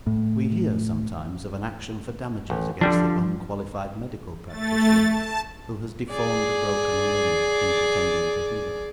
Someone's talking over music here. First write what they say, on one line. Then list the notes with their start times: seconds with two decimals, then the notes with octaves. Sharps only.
We hear sometimes of an action for damages against the unqualified medical practitioner, who has deformed a broken limb in pretending to heal it.
0.07 A2
2.50 A1
2.81 D3 F3 G3 D4
4.48 A3 A6
5.07 A5
6.11 G#4 D5